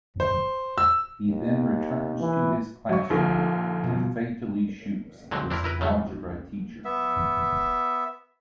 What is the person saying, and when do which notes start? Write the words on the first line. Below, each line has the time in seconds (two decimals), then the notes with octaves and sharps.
He then returns to his classroom and fatally shoots his algebra teacher.
0.20 C5
0.78 E6
1.29 D#2
2.21 E3
2.89 F#3 C#6
3.10 A#1 D#2 D3 F3 F4
3.84 B2 F4
5.31 A#2 D3 F#3 G#3 C4
5.50 C4 D4 E4 A#4
5.64 E4 A#4 B4
5.81 C#3 F#3 A3
6.85 B3 E5